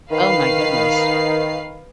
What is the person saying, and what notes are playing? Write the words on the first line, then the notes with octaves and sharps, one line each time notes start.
Oh my goodness.
D#3 B4 F5 C7